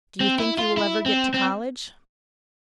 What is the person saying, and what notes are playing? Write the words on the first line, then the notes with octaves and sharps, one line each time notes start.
"Do you think you will ever get to college?"
C4
E4
F4
E4
C4
C4